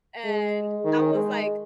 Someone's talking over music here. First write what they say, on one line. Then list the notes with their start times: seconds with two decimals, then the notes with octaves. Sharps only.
and I was, like,
0.25 G#3
0.84 D#3
1.14 G#3